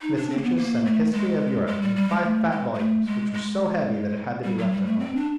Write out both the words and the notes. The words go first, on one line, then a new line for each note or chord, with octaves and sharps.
Miss Inches sent a "History of Europe" in five fat volumes, which was so heavy that it had to be left at home.
D#4
D4
C4
A#3
B3
A#3
A3
G#3
G#3
G3
G3
G#3
A3
G#3
G#3
A3
G#3
G#3
G3
F#3
G3
A3
C4
D4